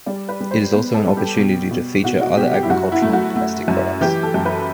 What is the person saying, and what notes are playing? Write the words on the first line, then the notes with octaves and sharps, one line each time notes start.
It is also an opportunity to feature other agricultural and domestic products.
G3 D5
B4
G3
C5
B3 B4
A4
G3
G4
B2
B2
B2 F#4
F#4
B2 G4
G4
E4
F#2 F#4
E4
A3
F#4
A3
F#2
E3 G4
A4
F#2
B4